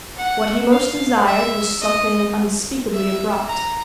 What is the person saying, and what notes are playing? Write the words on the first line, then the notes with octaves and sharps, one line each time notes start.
What he most desired was something unspeakably abrupt.
F#5
F5
E5
D#5
E5
A#5